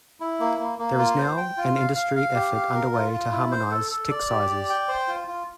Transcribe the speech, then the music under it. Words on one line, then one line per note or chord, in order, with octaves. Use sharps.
There is now an industry effort underway to harmonise tick sizes.
E4
A#3
A#3
A#3
F4
C5
G5
F4
F5
F5
F5
G4
F5
A#4
F4
F4
E4
C5
A4
A4
D5
G4
D5
G5
C5
F4
F4